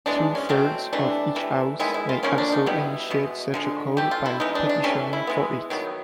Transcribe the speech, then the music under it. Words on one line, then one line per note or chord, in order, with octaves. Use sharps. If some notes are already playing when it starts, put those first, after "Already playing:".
Two-thirds of each house may also initiate such a call by petitioning for it.
E3 G#3 B3 D4
C#4
B2 F#3 A3 C4
C3 E3 A3 D4
C3 E3 A3
D#3 G#3 B3 E4
E4
F4
D3 F3 A#3 C#4
D4
D#4
B2 G3 B3 E4
B2 G#3 B3
D3 F3 G#3
E3 A3 G4
F4
E4
E3 G#3 B3 D#4
D4
D4
C3 E3 A3 C#4
E4
E3 G#3 B3
D#3 F#3 B3